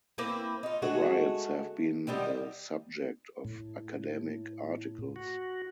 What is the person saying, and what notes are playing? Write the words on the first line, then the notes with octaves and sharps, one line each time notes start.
The riots have been the subject of academic articles.
A#3 C4 E4 B4
D#4 F4
G#3 A3 F#4
D#3 G3 B3 C4
A2
F#4